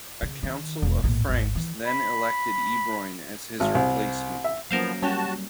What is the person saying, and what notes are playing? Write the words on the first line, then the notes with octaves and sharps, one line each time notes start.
A council of Franks then elected Ebroin as his replacement.
C#3
D#3
E1
A#1 A2
G#1 D2
E3
B5
G#1
C2
E5
F3 F#3 A#3 B3 C#4 A#4 C5 F5
G3 C#4 F#4 G4 A5